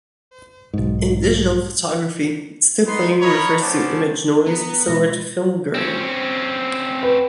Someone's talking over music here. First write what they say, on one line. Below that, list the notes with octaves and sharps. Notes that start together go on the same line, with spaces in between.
In digital photography, stippling refers to image noise similar to film grain.
B1 G#2
B3 D#4 C6
A#4 C#5 D#5 A#5 B5
A3 B3 C#4 C5 D5 A5
B3 A#5
B2 G#3 F4 A#6
C4 C#4
B4